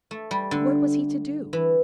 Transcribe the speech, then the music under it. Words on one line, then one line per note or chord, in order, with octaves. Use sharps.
But what was he to do?
A3
G3
D3
E3